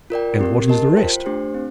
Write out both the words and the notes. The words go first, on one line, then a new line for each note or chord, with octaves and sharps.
"And what is the rest?"
F4 A#4 D5 G5
C4 G4 A#4
G4 A#4 D#5 A5
F4 C5 G5
A3 D4 G4 C5
C4